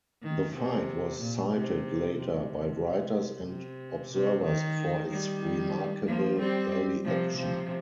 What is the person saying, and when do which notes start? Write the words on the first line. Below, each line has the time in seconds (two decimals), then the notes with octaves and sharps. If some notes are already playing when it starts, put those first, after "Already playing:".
The fight was cited later by writers and observers for its remarkable early action.
0.23 D#3
0.55 C3
1.21 A#2
1.53 C3
2.18 C3
3.47 C3
4.13 C3
4.45 D#3
5.10 D#3 G3
6.07 F3 A#3
6.39 G3 C4
7.04 C3 F3
7.37 C3 F3